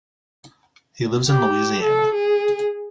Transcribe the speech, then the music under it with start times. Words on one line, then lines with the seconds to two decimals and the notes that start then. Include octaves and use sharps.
He lives in Louisiana.
1.28 G4
1.82 A4
2.15 G#4